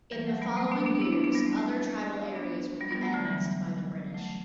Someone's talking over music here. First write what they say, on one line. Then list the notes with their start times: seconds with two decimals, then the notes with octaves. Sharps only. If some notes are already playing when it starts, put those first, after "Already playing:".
In the following years, other tribal areas would be annexed by the British.
0.12 E3 G3
0.27 F#3 A3
0.42 G3 B3
0.57 A3 C4
0.71 B3 D4
0.86 B3 D4
1.01 C4 E4
1.13 B3 D4
1.24 B3 D4
1.34 G3 B3
1.46 A3 C4
2.35 B3 D4
2.80 G3 B3
2.91 G3 B3
3.02 F#3 A3
3.14 D3 F#3
3.25 E3 G3
4.14 F#3 A3